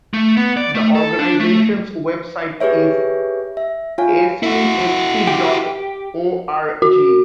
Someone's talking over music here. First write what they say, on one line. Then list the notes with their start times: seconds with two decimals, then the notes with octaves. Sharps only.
The organization's web site is acfc dot org.
0.14 A3
0.37 B3
0.57 D5
0.75 A3
0.95 A4
1.19 D4
1.40 A3
2.60 G4 G#4 B4 C#5 E5
3.57 E5
3.98 F4 C#5 F5 G#5
4.43 E4 F#4
5.27 G4
6.82 F#4